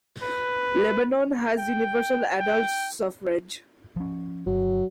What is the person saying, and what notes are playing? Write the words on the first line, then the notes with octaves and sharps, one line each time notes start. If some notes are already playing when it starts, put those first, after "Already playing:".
Lebanon has universal adult suffrage.
B4
G5
G5
F3 C#4
G1 F#3